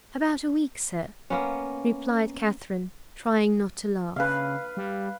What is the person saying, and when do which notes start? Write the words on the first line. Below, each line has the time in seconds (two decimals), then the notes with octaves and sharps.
"About a week, sir," replied Catherine, trying not to laugh.
1.30 A#3 B3 C#4
4.16 C#3 B4 F5
4.77 G3